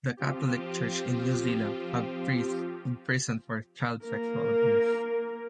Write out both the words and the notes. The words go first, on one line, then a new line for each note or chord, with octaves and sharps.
The Catholic Church in New Zealand had priests imprisoned for child sexual abuse.
F3 C4 F4 G4
A#3 A#4